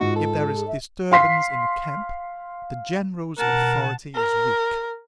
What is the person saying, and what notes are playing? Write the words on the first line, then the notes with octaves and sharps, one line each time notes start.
If there is disturbance in the camp, the general's authority is weak.
G#2 F4 F#4
A4
G#4
E5
F5 C6 B6 C7
B2 A#4 F#5 A5
A#4